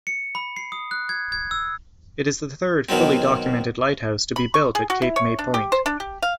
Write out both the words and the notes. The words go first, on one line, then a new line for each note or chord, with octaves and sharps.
It is the third fully documented lighthouse to be built at Cape May Point.
C#7
B5
C7
D#6
F#6
G#6
G#6
E6
B2 D#3 F#3 C4
B5
C#6
G#4
F#4
E4
C#5
D4
G4
C5
D4
G4
F5